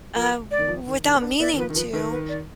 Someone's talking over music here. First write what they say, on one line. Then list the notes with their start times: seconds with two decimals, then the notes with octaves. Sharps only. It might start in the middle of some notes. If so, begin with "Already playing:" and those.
uh, w without meaning to,
0.15 F3 A#4
0.51 D5
0.59 D#3
0.68 F3
0.87 D#3
1.04 D#3
1.15 B3
1.22 D4
1.40 B3 D5
1.53 D#3
1.57 F3 B4
1.70 D#3
1.76 F3 B4
1.93 D#3 B4
2.12 B4
2.29 D5